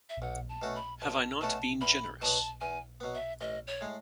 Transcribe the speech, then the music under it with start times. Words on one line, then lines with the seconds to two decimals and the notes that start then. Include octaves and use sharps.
Have I not been generous?
0.10 E5
0.22 B1 F#5
0.49 A5
0.62 B2 A3 C#4 F#4
0.76 B5
1.02 B1 A5
1.41 B2 A3 C#4 F#4 A5
1.81 E2 B5
2.21 B2 F#3 B3 A5
2.61 E2 G#5
3.00 B2 F#3 B3
3.14 E5
3.41 A1 D#5
3.67 C#5
3.81 A2 G#3